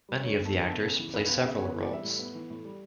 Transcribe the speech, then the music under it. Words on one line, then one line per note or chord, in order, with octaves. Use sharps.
Many of the actors play several roles.
G3
D2 C#5
B3
A4
D3
B3 A4
C#3 A4
E3
C#2 B4
B4
B3
G5
C#3 E5
B3 C#5
B4
E3
D5
G3 E5
A2
B3
E3
A2
G3